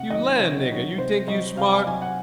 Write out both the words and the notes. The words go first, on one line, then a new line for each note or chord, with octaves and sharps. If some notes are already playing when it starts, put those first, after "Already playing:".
"You lan' niggah, you tink you smart!"
Already playing: C3 F#5
D#3 F#3 D#5
C3 C#5
D#3 F#3
C3 C5
F#3 D#5
C3 F5
G#5
F#3 G#5
F#5